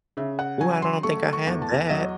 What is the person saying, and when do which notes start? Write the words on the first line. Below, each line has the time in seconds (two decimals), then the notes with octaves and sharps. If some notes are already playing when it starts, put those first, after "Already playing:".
Ooh, I don't think I had that.
0.17 C#3 E5
0.39 F#5
0.61 F#3 G#5
0.82 C6
1.03 A3 C#6
1.33 C#6
1.47 E2
1.62 A5
1.90 F#3 D#5